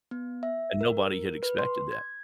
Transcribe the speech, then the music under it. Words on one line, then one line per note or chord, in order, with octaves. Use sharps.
and nobody had expected that.
B3
E5
A#4
B4
C6
G#6